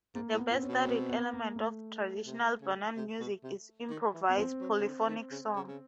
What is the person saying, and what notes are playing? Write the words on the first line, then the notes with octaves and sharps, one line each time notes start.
The best-studied element of traditional Bunun music is improvised polyphonic song.
G#2 A#3
A2
B3
A#2 C4
C#4
B2
C4
B3
A#3
A3
C3
C#3
C3
B2
C3
D#3
E3
B3
F3 C4
F#3
C#3
D3
D#3
C#3
C#3
C#3